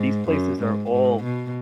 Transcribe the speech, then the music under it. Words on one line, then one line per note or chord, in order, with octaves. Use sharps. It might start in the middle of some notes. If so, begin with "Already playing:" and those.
these places are all
Already playing: G#2
F#2
G#2
G#2
B2